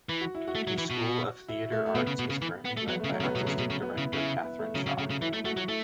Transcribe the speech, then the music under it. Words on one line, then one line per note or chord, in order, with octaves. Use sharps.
The School of Theatre Arts is currently led by Artistic Director Kathryn Shaw.
E3
F#4
E4
F#4
A3
F#3
E3
B2
E4
A3
A3
B2 B3
C#3
B2
C#3
E3
B3
A3
F#3 B3
A3
C#3
F#3
C#3
B3
A3
B2
F#3
C#3 A3
B2
C#3
B3
E4
C#3
B3
C#3 E4
B3
A3
C#3 F#3
C#3
C#3 A3
C#3
E3 E4
A3 E4
A3 F#4
F#3
F#4
A3 E4